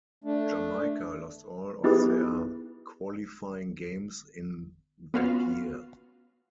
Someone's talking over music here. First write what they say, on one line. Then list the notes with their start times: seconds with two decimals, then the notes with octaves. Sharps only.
Jamaica lost all of their qualifying games in that year.
0.24 A3 D4
1.83 B3 D#4 E4 G4 G#4 B4
5.14 B3 C#4 F4 F#4 B4 F5